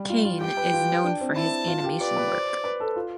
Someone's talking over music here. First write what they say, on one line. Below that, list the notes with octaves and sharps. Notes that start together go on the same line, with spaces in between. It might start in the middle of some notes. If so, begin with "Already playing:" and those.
Kane is known for his animation work.
Already playing: G3
F4
F4
G4 G5
B4
F4
D4
C4
E4 A5
F4
G4
B4 D5
B4
C5
B4
A4
F4